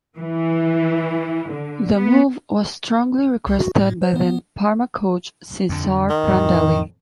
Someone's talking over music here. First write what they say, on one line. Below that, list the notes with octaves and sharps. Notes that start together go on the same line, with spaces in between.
The move was strongly requested by then Parma coach Cesare Prandelli.
E3
D3
B3
C2
F#4
A2
C5
B3
F2 D3
D#3
F2 A2 E3